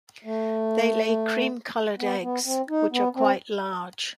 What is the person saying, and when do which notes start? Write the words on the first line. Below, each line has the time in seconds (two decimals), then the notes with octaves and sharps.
They lay cream-colored eggs which are quite large.
0.25 A3
1.99 B3
2.22 B3
2.45 C4
2.70 D#4
2.92 B3
3.15 C4